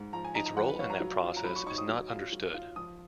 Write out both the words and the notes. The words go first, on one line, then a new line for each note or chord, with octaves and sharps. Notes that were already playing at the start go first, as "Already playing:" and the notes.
Its role in that process is not understood.
Already playing: G#2
F3 A#5
G#5
D#4 A#5
A#5
F3 F#5
B4
F4 C#5
A#5
F#3
F4
A#5
F#3 B5
C#6
D#4 C#6
D#6
F#3
F4
F#3
F4
F3 D#6